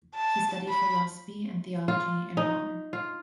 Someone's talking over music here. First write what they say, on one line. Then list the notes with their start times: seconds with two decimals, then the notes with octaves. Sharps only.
He studied philosophy and theology in Rome.
0.15 A5
0.68 B5
1.88 F4
2.37 D#4
2.93 F4